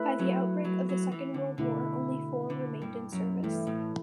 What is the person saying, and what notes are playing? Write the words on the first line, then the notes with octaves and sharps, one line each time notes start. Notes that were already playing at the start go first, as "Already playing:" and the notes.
By the outbreak of the Second World War, only four remained in service.
Already playing: A3 E4 B4
F#3
F#3
F#3
E3
D3
B2 D3 A3 E4
D3
G2
F#2
G2 E3 A3 E4
A2